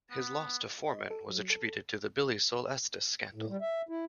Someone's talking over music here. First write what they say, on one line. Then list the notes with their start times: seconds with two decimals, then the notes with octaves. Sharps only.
His loss to Foreman was attributed to the Billie Sol Estes scandal.
0.11 B3
0.88 D#5
1.10 A4
1.29 F#3
1.50 A4
3.34 A2
3.49 G3
3.61 E5
3.89 E4